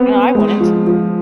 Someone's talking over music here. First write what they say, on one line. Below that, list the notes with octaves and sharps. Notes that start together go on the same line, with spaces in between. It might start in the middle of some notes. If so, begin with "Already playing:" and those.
I know I wouldn't.
Already playing: B3 C4
G#3
F3
F3